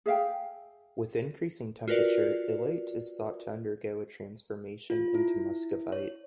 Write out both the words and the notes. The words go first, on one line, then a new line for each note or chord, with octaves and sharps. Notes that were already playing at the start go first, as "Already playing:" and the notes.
With increasing temperature, illite is thought to undergo a transformation into muscovite.
G#4 E5 F5 G5
F4 F#4 A#4 B4 D5
F4
E4
C#5